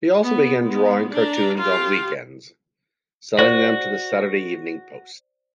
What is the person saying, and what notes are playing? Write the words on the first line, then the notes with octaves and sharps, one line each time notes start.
He also began drawing cartoons on weekends, selling them to The Saturday Evening Post.
B3
G#3 B3
D4 A#5
F4 G4
F#4 C5 D5